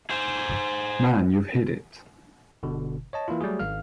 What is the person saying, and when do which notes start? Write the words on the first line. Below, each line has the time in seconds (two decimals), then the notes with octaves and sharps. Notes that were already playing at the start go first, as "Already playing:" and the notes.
Man, you've hit it!
0.10 G#4 C5
2.63 G1 B2 D3
3.13 C#5 D#5 A5
3.28 E3 A#3 E4 F4
3.41 F#3 G3 A3 F#4 G#4
3.59 G#1 F5 F6